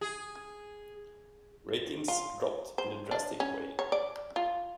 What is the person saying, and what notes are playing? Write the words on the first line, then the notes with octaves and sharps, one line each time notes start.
Ratings dropped in a drastic way.
G#4
F4
C5
D4
C#4
C#5
D5
F4